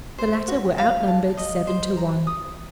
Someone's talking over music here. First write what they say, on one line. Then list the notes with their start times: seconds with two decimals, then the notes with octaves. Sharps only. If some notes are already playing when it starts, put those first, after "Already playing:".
The latter were outnumbered seven to one.
0.18 C5
0.48 F#4
0.78 F5
1.08 A5
1.37 D#5
1.67 C5
1.97 A#5
2.27 D#6